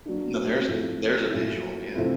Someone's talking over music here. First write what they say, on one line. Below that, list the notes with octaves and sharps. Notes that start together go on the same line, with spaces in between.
Now there's there's a visual, yeah.
F#3 A#3 D4
A2 F3 A3 C4
A#2 F#3 A3 C#4 E4
C3 F3 A3 C4 E4